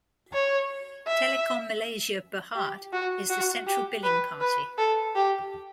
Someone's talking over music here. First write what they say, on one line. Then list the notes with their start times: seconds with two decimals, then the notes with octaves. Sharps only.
Telekom Malaysia Berhad is the Central Billing Party.
0.33 C#5
1.07 E5
2.55 G4
2.93 F#4
3.30 F#4
3.67 G4
4.03 B4
4.41 B4
4.78 A4
5.15 G4